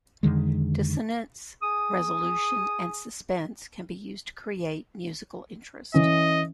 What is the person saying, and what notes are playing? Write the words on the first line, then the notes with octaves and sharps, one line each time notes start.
Dissonance, resolution, and suspense can be used to create musical interest.
F2 D3 D#3 G#3
G#4 G#5 D#6
E3 C#4 D#5